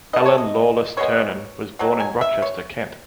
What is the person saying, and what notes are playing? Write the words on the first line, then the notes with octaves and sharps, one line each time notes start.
Ellen Lawless Ternan was born in Rochester, Kent.
E3 A3 D#5
C#5
D#5
E3 G#3 B3 C#5
B2 F#3
G#5
E5
C#5